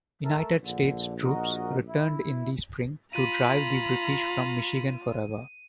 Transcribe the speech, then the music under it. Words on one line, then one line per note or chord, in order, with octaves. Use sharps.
United States troops returned in the spring to drive the British from Michigan forever.
A3 A4 A#4
A#1 D3
F#4 A#4 D#5
E4
F4 A#5 B5 D#7